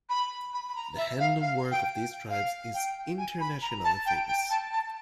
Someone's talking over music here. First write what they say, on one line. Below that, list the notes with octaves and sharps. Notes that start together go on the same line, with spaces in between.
The hand-loom work of these tribes is internationally famous.
B5
B5
B5
A#5
E5
F5
F5
G5
F5
G5
G#5
B5
A#5
A5
G5
G5
A5
A5